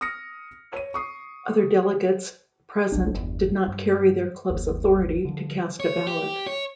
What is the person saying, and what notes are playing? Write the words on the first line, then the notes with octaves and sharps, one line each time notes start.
Other delegates present did not carry their club's authority to cast a ballot.
D#6 F6 A#6 C#7
C#5 D#7
C#6 D#6 C7
G1 C2 D4
G1 E2
G2
G1 D#2
D3 F3
C#5
G4
C#5